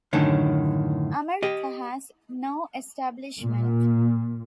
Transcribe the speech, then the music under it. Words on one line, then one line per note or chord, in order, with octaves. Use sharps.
America has no establishment.
F#2 A2 D3 D#3 C#4
G4 D#5
A#2